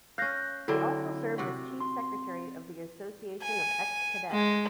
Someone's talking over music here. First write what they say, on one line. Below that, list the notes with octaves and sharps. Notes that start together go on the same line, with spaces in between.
He also served as chief secretary of the Association of Ex-Cadets.
C#4 F5 F#6 G6 A#6
D3 F#3 C4 E4
C3 F#4
C6
G#5
G#3